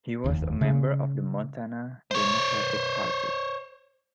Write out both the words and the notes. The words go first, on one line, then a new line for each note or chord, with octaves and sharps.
He was a member of the Montana Democratic Party.
F1 D#2
C#3 G#3
C5 C#5